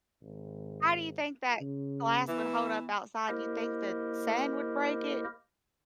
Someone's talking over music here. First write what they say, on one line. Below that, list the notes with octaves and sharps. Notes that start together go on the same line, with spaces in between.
how do you think that glass would hold up outside, do you think the sand would break it?
G#1
C#3
E3 B3
A#3 E4 G4 A#4 C5 D#5